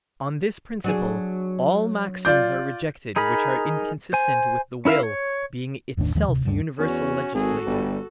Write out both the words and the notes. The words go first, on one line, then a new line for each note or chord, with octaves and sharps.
On this principle all maxims are rejected which are inconsistent with the will being itself universal legislator.
F#3 D4 G#4
F4 D5 G6
D#4 G#4 A#4 B5
C5 G#5
C#4 E4 A#4 E5 F5
C#5
F#1 D#2 A2 D4
D#2 D#3 F3 G#3
D1 C3
D2 G2 G3 D4
E2 C#4 F#4
G#1 F#4 G#4 A4
G1 G3